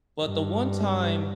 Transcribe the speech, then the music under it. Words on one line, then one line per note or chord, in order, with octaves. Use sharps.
but the one time,
G2